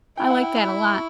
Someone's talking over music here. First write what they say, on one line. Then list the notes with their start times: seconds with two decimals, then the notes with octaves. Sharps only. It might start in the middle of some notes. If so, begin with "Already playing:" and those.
I like that a lot.
0.17 E4 G5
0.30 F#5
0.43 G5
0.56 B5
0.69 B5
0.86 C#6